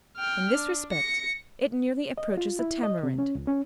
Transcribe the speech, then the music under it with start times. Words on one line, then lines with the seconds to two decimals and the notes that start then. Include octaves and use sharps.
In this respect, it nearly approaches the tamarind.
0.17 G5 F6
0.55 D4
0.92 A#6 C#7
2.18 D#5
2.37 F4
2.59 E4
2.83 D#5
3.03 C3
3.18 C#4
3.35 C#2
3.47 C#4